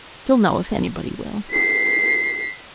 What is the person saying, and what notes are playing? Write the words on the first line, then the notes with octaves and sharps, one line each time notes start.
She'll know if anybody will.
B6 C7